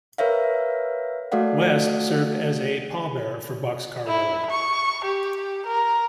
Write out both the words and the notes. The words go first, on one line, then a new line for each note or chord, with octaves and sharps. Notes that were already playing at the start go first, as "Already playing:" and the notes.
West served as a pallbearer for Boxcar Willie.
A#4 B4 C#5 E5 F5
A3 F#4 A4 D5 F5 F#5
E4
C#6
G4
A#4